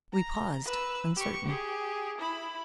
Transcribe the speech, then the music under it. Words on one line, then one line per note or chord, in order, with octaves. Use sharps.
We paused uncertain.
A#5
B4 E6
G4 C#6
G4 G#4
E4 B5